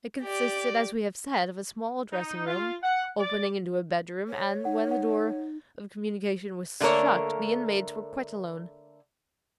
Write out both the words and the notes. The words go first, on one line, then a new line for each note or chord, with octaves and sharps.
It consisted, as we have said, of a small dressing-room, opening into a bedroom, and, when the door of communication was shut, the inmates were quite alone.
G4 D5
D#4
F4
F#5
D5
C#5
D#4 F#5
F#5
D3 A3 A#3 A#4 C#5